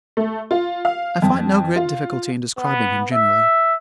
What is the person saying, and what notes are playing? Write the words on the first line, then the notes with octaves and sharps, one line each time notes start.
I find no great difficulty in describing him, generally.
A3
F4
F5
F2
F4
B3
E5